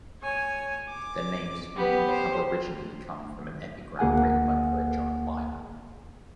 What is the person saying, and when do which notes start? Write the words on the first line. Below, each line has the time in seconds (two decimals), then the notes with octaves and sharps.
Their names may have originally come from an epigram written by poet John Byrom.
0.22 C#5 G#5
0.89 D6
1.77 B3 G4
2.10 C5
3.99 D2 A#3 G#4 F#5 G#5